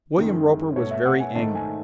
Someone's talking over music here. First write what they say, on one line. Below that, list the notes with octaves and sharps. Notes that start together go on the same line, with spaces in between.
William Roper was very angry.
F#2 D#3 G#3
B2 A3 C#5
E5
F#5
G#5
G#2 D#3 A3 A5
G#5